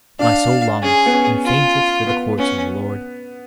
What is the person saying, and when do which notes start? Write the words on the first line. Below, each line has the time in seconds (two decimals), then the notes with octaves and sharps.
My soul longeth and fainteth for the courts of the Lord.
0.19 D4 F5
0.82 C#4 G#4
1.06 B3
1.13 C#4
1.45 F4
2.07 B3
2.38 B3 C#4